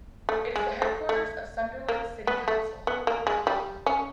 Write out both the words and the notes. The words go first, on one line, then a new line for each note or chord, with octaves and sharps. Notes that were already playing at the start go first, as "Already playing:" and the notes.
It is the headquarters of Sunderland City Council.
A3
G#3
A3
A3
A#3
B3
A3
B3
A#3
G#3
G3
C#4